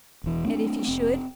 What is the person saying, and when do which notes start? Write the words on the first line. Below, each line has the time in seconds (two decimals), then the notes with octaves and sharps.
"And if he should?"
0.24 E1 E3
0.45 A3 C4 D4
0.88 F1 C4